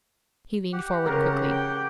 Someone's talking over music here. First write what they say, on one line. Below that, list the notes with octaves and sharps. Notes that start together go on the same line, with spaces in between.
He leaned forward quickly.
G4 F#5
C#3 A#4
G5